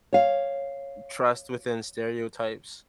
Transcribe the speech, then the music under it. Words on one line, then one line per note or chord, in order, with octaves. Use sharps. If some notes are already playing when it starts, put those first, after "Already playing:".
trust within stereotypes,
C#5 F5